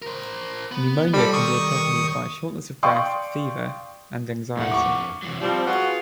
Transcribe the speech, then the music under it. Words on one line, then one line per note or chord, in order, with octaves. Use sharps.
Pneumonia can be accompanied by shortness of breath, fever, and anxiety.
A#4 C5
B3
G3 F4 A4 C5 B5
D#3 C#6 D#6
D5 F5 G5 C6 C#6 D#6
F2 A2 D3 A3 F#5
C#6 D6
C3 E3 F#3
F3 G3 C4
F4 F#4 G#4 B4